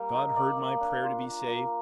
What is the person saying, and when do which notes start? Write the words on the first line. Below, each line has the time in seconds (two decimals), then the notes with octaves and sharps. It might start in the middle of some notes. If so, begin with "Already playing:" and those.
God heard my prayer to be saved.
Already playing: G3 A#3
0.14 D#4
0.36 A#3 D5
0.59 A#3
0.80 D4
1.03 F4
1.25 A#3
1.48 A#3